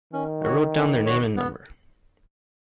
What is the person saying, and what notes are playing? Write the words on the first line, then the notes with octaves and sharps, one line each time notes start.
I wrote down their name and number.
D#3 C#4
F#4 C#5
C#4
F#4 C#5
B3